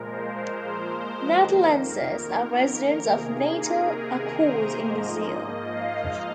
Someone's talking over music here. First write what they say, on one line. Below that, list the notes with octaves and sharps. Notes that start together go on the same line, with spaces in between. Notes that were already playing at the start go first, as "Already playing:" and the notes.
"Natalenses", as residents of Natal are called in Brazil.
Already playing: A#2 F3 G#3 A#4
C5
A#4
A#4
F2 D#3 A#3
A#4
A#4
C3 D#3 A#3 G#4
A#4
C5
G#2 F3 A#3 D#5
F5